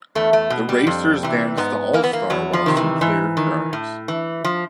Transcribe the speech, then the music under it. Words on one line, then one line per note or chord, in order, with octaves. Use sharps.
The racers dance to "All Star" while Sinclair cries.
E2 A3
A3
B2
G3
F2
C3 E3
G#2 B3
E3 A#3
B3
A#3
E2 F#3
F3
C3 D#3
E3
G#2 E3
D#3
A2
E3
F3